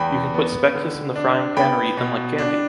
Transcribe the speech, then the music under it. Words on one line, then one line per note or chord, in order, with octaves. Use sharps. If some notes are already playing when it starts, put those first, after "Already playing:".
You can put Spekjes in the frying pan or eat them like candy.
Already playing: E2 G5 B5
B3
D3
D4
B3 G5 B5
B2
D4